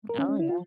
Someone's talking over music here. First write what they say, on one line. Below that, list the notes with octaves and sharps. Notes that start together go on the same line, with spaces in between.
Oh, yeah.
A#4
C#4
C#4
E4
F4